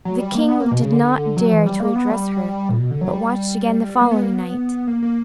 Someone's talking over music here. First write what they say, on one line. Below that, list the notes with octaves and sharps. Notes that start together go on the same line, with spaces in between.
The king did not dare to address her, but watched again the following night.
F#3
G3
A#3
B3
A#3
B2
C#3
D3
F#3
E3
G3
A#3
B3
G3
A#2
B2
D3
F#3
G3
A#3
B3
A#3
B3
A#3
A#3